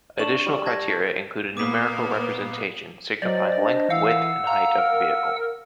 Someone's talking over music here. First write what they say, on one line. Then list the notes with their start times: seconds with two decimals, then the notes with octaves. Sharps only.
Additional criteria include a numerical representation signifying length, width and height of the vehicle.
0.19 D4 C#6 E7 F#7
0.46 G3
0.66 A5 G#6 A#6
1.57 A#2 A#3 B3 D6 D#6 B6
3.22 F#3 C5 D5 D#5
3.56 D4
3.90 E3 F5 F#5 E6
4.47 F5 A#5
4.78 A#4